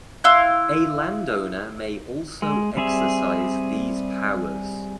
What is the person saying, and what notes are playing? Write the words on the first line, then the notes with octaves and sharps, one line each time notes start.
A landowner may also exercise these powers.
E4 F5 C6 F#6
G#3
G3 C4 G#4 E5